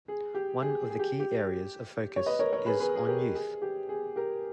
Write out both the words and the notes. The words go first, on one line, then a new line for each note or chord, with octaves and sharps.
One of the key areas of focus is on youth.
G#4
G4
G#4
G#4
G4
G4
C#5
B4 D#5
A#4 C#5
A#4 C#5
G#4 B4
G#4 B4
G#4
G4 A#4
G#4
G4
G#4
G4 A#4